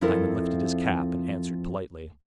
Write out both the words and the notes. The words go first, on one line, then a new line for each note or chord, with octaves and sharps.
Diamond lifted his cap, and answered politely.
F2 F3 C4 E4 A4 A#4